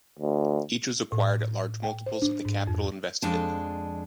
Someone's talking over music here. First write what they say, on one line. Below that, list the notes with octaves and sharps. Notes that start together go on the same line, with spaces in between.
Each was acquired at large multiples of the capital invested in them.
D2
A2
G5
C5
D4
G#2
F2
F2 G#3 D4 G5 A5